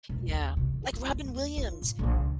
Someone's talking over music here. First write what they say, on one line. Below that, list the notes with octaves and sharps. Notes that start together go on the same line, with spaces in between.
Yeah, like Robin Williams,
E1
D#2
C3
D#3
F4
F#2
D#2
F4
A#2
A#1
C#2